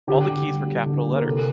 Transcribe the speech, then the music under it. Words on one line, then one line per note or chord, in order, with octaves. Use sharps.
All the keys were capital letters.
D3 G4
D3
G3
G3
D3
A#3
A#4
C3 A4